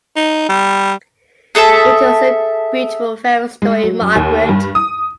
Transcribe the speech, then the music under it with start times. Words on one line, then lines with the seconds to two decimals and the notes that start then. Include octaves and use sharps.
It was a beautiful fairy story, Margaret.
0.16 D#4
0.49 G3
1.55 G#4 A4 E5 A5
3.62 G#3
3.83 F#3
4.01 F#2
4.15 D#2
4.49 G2
4.75 D#6